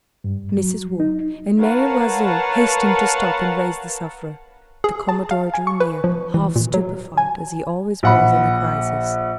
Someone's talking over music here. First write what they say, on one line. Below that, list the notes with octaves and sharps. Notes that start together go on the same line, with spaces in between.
Mrs. Waugh and Mary L'Oiseau hastened to stoop and raise the sufferer. The commodore drew near, half stupefied, as he always was in a crisis.
G2
F#3
D#4
A#4 B4 C#5 F5 F#5 A5
G#4
A5
F5
G#5
C#6
B4
F3
E3
A#2
F#3
G#5
A#1 F#5 B5